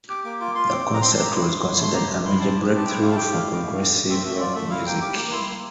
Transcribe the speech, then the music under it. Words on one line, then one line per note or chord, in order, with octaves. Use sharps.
The concert was considered a major breakthrough for progressive rock music.
G4 D6
A#3 D6
F4 D6
F4 C6
C4 D6
C4
A#5
C4 C6
A5
G4
A#5
E4 C6
A3
E4
A3 C6
G4 A#5
A3
E4 C6
C4 A5
G4
C4
A5
E4 G5
A3 F5
A5
G4 G5
A3 F5
E4
A3
G4
A3
C4 E5
A3 E5
F4 D5
A3 E5
E4 F5
A#3 G5
G4 D6
A#3
E4 C6
A#3